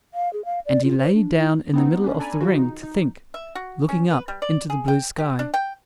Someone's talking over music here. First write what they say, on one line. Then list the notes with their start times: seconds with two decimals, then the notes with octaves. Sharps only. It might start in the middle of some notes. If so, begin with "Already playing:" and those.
And he lay down in the middle of the ring to think, looking up into the blue sky.
0.14 F5
0.33 G#4
0.45 F5
0.66 D5
0.84 F4
0.98 C5
1.15 D4
1.36 E4
1.74 B3 C4 D#4
2.04 C#4 D4
2.19 D4 A4 D5 G#5 A#5 B5
2.40 C#3 E3 F4 F#4
2.55 D#4
2.83 D#4
3.34 E5
3.55 F#4
3.89 C#4
4.10 B4
4.28 G3
4.42 D5
4.70 G#4
4.88 G5
5.18 G4
5.39 D4
5.54 G5